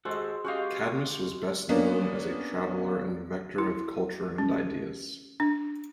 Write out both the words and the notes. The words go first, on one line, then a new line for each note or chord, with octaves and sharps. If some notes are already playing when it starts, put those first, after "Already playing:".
Cadmus was best known as a traveller and vector of culture and ideas.
G#3 F#4 A4 C5
C#4 F#4 G4 D#5 F5
A#3 B3 C#4 D4
E4
C#4
D4